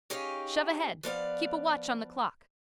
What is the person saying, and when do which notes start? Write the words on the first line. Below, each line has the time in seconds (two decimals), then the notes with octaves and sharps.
Shove ahead. Keep a watch on the clock.
0.10 C#4 D#4 G4 G#4 C#5 F5
1.03 F3 B3 D5 F5